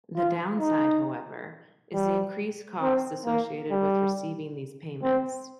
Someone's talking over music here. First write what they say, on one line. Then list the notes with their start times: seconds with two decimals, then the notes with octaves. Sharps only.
The downside, however, is the increased costs associated with receiving these payments.
0.16 F4
0.60 D#4
1.93 G3
2.82 C4
3.26 A#3
3.71 G3
5.03 C4